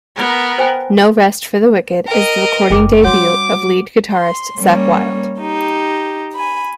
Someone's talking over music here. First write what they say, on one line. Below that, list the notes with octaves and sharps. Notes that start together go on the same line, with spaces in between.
"No Rest for the Wicked" is the recording debut of lead guitarist Zakk Wylde.
B3 A#4
C5 G5 G#5
A#4 D#5 G5
F#1 G5 D6
G3 C#4 F#4 C#5 F#5 D6
C6
G3 A#3 C#4 C#5
D#4 G4
G#5 B5